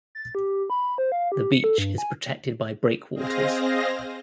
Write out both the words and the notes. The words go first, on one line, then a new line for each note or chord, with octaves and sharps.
The beach is protected by breakwaters.
A6
G4
B5
C5
F5
G4
C#7
A4
G2
G#5
C4 G#4 C5 D#5 F5 A#6